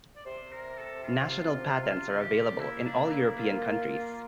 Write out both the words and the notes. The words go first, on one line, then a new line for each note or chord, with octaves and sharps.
National patents are available in all European countries.
D5
C3 C5
A#4
A4
F4
F4
G4
A#3 E4
D4
E4
F4